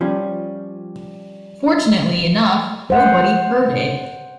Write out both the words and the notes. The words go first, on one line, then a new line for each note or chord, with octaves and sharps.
Fortunately enough, nobody heard it.
F3 G3 C#4
C5 F#5